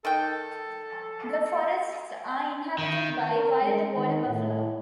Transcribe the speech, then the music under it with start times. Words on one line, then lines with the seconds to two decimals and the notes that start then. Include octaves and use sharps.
The forests are inhabited by wild Water Buffalo.
0.05 D#3 A4 G5
2.78 D#3
3.32 A#4
3.62 G#3
3.96 D#3
4.27 A2